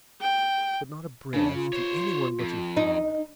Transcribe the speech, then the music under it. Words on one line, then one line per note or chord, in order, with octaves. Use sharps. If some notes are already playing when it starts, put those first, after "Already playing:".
'But not a breath to anyone but your father.
G5
C#3 D4
F4
C5 C#5
F2
D#4